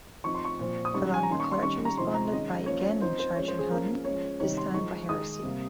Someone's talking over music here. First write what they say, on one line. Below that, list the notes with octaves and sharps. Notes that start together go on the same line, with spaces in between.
The London clergy responded by again charging Hunne, this time for heresy.
F3 C4 D#4 C#6
C6
C#6
A#2 F3 C4
D#6
D#3 G3 C#4 C#6
G#5
A#5
D#3 A#3 C#4 C6
C#6
C6
D#3 G3 C#4 C#6
A#5
C3 F3 C4 D#4 C6
A#5
D#3 G#3 C#4 D#5
F3 A#3 C#4 C#5
F3 C4 D#4 C5
C5
F3 G#3 C#4 C#5
C5
G#4
F3 A#3 C#4 A#4
F3 G#3 C#4 C#5
C3 D#3 G3 C#5
C6
F3 G#3 D#4 C#6
D#3 G#3 D#4 D#6
C3 G3 A#3